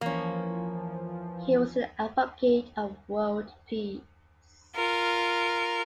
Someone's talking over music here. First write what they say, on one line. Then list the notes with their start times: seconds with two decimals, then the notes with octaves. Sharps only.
He was an advocate of world peace.
0.01 E3 F3 A#3 C#4
4.75 F4 A#4